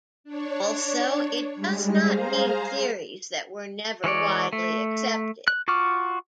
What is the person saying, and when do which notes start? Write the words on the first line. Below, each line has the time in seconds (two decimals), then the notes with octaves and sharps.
Also, it does not mean theories that were never widely accepted.
0.24 D4 C#5
1.55 G3 G#3
1.98 G#4 C5 F5 A#5
4.04 E3 G#3 C#5 D5
4.53 A3
5.48 F#6
5.68 F4 F#4 C#6 D6 F6